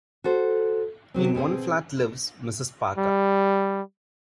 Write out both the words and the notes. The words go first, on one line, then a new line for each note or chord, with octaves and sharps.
In one flat lives Mrs. Parker.
F#4 A4 C5
C3 D#3 F#3 C4
B2 C4 G#4 C5
G3